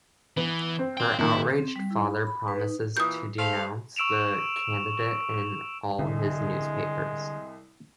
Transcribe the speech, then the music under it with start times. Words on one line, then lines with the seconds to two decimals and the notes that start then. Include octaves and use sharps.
Her outraged father promises to denounce the candidate in all his newspapers.
0.37 E3 B3
0.79 C4
0.97 G5 C6
1.19 A#2 D#3 E4
1.56 C4
1.76 G3
1.91 E4
2.10 B5
2.27 B5
2.48 B4
2.60 D#4
2.97 A#2 E3 D#6 G6
3.38 A3 C5 F5
3.96 C#6 E6 D7 E7 F7
5.99 C2 D3 G#3